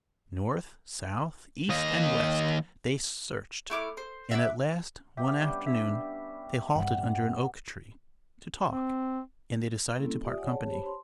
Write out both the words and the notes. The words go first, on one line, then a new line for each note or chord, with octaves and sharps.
North, south, east, and west, they searched; and at last, one afternoon, they halted under an oak tree, to talk, and they decided to part company.
D#2 D#5
A3 E4 D6 F6
C5
E5 F#5 C6 D6
B3 G4 E5
G3 C#4 D4
E5
G2 B3 F#5
C4
G3 A#3 C4 C#4 E4 A4
F4 G4 D5 E5 D#6
C#5 D5 F#5 G#5
G#4 C#5 A5
G4 C5 C#5 A5 B5
C6